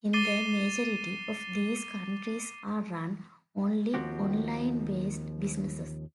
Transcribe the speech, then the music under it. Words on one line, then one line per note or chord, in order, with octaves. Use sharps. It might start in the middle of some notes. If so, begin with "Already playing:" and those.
In the majority of these countries are run only online-based businesses.
D6 A6 C7 D#7 G7
D#2 F3 C4 F#4 G4